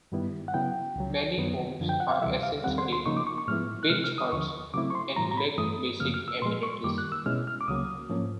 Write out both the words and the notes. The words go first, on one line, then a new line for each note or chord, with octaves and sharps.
Many homes are essentially beach huts and lack basic amenities.
G2 D#3 G3 B3 E4
F#5
C#3 F#3 B3 E4 G5
C#2 C#3 F#3
F#2 D#3 F#3 B3
F#2 D3 F3
G5
F#5
F5
D2 C3 E3 G3 E5
F5
D#2 D#3 G3 C4 F#5
C6
C6
C#3 F3 A#3 D#4 C#6
D6
C#6
C#6
A2 F3 G#3 B3 E4 F6
F#6
C3 E3 G#3 F6
F6
D#6
D#2 D3 F3 C#6
C#3 F#3 A3 C4 E4 D6
C#6
C6
A2 E3 G3 A#5
A#5
B5
G2 E3 A3 D#6
F#2 C#3 F3 A#3 F6
F6
E6
A#2 F3 G#3 C6
C#6
F#2 D#3 G3 A#3 D6
F#6
E6
B2 G#3 C#4 E4 F6
F6
D6
C#2 C#3 F#3 A#3 D#6
G#2 F3 A#3 C#4